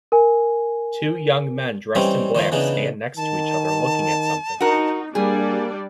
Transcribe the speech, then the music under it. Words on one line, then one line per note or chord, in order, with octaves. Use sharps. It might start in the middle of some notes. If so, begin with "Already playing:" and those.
Two young men dressed in black stand next to each other looking at something.
A#4 G#5
E3 G3 C4 C#4 D#4
D#3 F3 A#3 D#4
C#3 E3 B3 D4 D#4
D#3 A5
D#4 F#4 A#4
G3 A#3 D4 G#4 D5